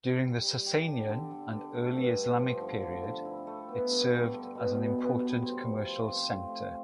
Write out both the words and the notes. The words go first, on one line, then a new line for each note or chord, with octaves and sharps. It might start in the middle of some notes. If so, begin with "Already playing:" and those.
During the Sasanian and early Islamic period it served as an important commercial center.
G3
G3
G4
D4
D3
D3
D4
A3
G2
G2
F3
D3
D3
D3
E4
A3
B3
G2
G3
D3
B2
B2
B3
G3
C5
F3
F4
C4
A3
A3